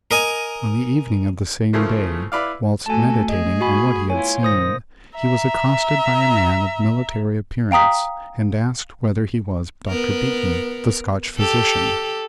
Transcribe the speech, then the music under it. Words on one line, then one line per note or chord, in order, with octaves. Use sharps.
On the evening of the same day, whilst meditating on what he had seen, he was accosted by a man of military appearance, and asked whether he was Dr. Beaton, the Scotch physician.
A#4 D#5 G#5
C#3 E3 F3 A3 A#3
E4 B4 D5 F5
A3 F#4 A4 G#5 A5
G#4 D#5
F#4 G#5 B5
B3 E4 F4 C#5 G#5
A#2 D#3 C5 D#6 A#6
E5 A#5
F5 G5 A#5 D#6 B6
B3 A#4
G4 A4